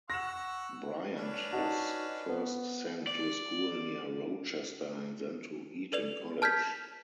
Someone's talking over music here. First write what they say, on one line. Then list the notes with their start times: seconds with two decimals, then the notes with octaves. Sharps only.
Bryant was first sent to a school near Rochester, and then to Eton College.
0.10 F#5 C#6 E6 A#6 E7
1.16 C#4 D4 B4
1.51 D#4 F#4 A5
2.29 B3
3.07 D5
5.92 A4 B4 D5 F7
6.42 A5 F6 G6 G#6 B6